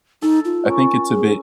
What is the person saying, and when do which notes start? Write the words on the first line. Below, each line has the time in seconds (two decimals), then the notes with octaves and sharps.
I think it's a bit,
0.22 D#4 A4
0.45 F4
0.65 C#4 A#4
1.11 G#4